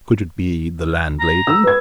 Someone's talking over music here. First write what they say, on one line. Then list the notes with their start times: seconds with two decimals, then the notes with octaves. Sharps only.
Could it be the landlady?
1.20 A#5
1.47 E6
1.63 B4 G#6